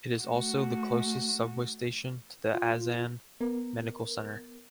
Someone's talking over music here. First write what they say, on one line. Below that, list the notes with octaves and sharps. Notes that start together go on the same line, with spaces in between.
It is also the closest subway station to the Asan Medical Center.
A3 F#4
F4
B3 A#4